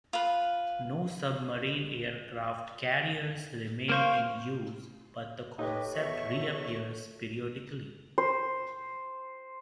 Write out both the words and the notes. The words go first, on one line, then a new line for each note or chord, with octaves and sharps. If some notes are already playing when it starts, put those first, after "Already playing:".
No submarine aircraft carriers remain in use, but the concept reappears periodically.
F4 B4
A#3 C5 F5 C#6
D#4 G4 A4 B4 C#5 D#5
E2 B2 E5 C#6
C5